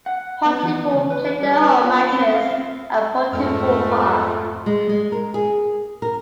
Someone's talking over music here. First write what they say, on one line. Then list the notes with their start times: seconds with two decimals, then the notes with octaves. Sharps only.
Pontypool play their home matches at Pontypool Park.
0.06 F#5
0.46 B3
0.63 E3
0.94 C#2
1.10 B4
1.41 G3
1.62 B4
1.83 F4
2.12 C4
2.34 F5
2.51 C4
3.33 F2 G#2 G#3 A3 C4 F4 F6
4.66 G#3
4.89 G#3
5.12 A#4
5.34 G#4
6.02 A#4